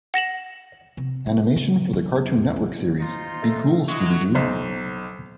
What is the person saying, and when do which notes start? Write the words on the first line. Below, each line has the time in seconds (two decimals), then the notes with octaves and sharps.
Animation for the Cartoon Network series "Be Cool, Scooby-Doo!".
0.14 F#5 A#6 E7 F#7
0.97 C3
1.26 G3
1.56 C#3
1.93 D3
2.16 E2
2.56 A1
3.00 D#4 F4 C5
3.42 A4 E5
3.88 F#3 G#3
4.35 B1 C5